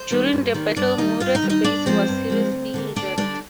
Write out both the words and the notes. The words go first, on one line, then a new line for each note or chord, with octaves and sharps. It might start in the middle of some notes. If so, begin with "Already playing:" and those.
During the battle Murat Reis was seriously injured.
Already playing: C5
D#3 G3 A#3
G2
D#3 G3 A#3
G2 D4 D5
D#3 G3 D#4 D#5
G2 F4 F5
D#4 D#5
D#3 G3
D#4 D#5
G2 D4 D5
F3 G#3 C4 C5
G2
F3 G#3
D2
D3 G3 A#3
D2 D4 D5
D3 G3 A#3 D4 D5